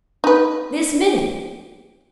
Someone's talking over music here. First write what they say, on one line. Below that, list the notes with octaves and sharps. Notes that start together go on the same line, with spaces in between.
This minute!
D#4 B4